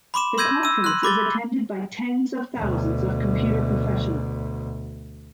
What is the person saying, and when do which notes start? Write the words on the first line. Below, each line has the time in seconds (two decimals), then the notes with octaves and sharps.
The conference is attended by tens of thousands of computer professionals.
0.14 B5 C6 D6 E7
0.38 C6 E6 G6 G#6 A#6 D#7
0.63 E6 D#7
0.84 C6 F#6
1.03 B5 D6 A6 G7
2.58 D2 B2